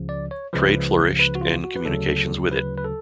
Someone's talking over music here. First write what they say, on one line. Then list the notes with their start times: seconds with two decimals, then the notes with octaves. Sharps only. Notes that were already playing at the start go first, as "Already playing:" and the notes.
Trade flourished, and communications with it.
Already playing: C#2 C#3 F3
0.09 D5
0.31 C#5
0.53 C#2 C#3 F3 B4
1.19 B4
1.35 F#4
1.41 F4
1.64 F#4
1.76 B4
1.85 D2 C#3 F#3 A4
2.51 B4
2.78 B4
2.85 A4